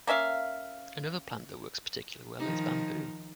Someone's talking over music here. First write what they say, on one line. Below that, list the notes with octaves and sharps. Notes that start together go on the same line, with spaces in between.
Another plant that works particularly well is bamboo.
A#3 C#4 E5 F5
D#3 F3 D#4